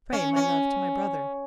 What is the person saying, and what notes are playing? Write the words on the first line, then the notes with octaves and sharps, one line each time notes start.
Pray my love to my brother.
C#4
C#4